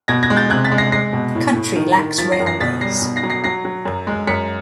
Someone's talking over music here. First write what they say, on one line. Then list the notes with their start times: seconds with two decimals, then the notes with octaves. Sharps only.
The country lacks railways.
0.08 B2 G#6 A#6
0.23 G#6 A#6
0.30 G#3
0.36 G6 A6
0.50 C3 F#6 G#6
0.64 A6 B6
0.72 G#3
0.78 A#6 C7
0.92 G#3 A#6 C7
1.13 B2
1.35 A2
1.56 A2
1.76 D#3
1.98 D#3
2.18 F3 A6 B6
2.32 A#6 C7
2.40 F#2
2.46 A#6 C7
2.60 B2 A6 B6
2.81 G3 A#6 C7
3.02 B2
3.16 A#6 C7
3.23 F#3
3.30 A#6 C7
3.44 F#3 A#6 C7
3.65 F#3
3.85 F#2
4.07 G#3
4.27 F#2 B6 C#7